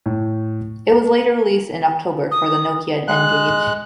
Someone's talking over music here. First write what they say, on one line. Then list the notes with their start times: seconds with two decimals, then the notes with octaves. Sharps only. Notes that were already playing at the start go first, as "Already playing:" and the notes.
It was later released in October for the Nokia N-Gage.
0.06 A2
0.92 A#5
2.31 D#6
3.08 G#3 F#6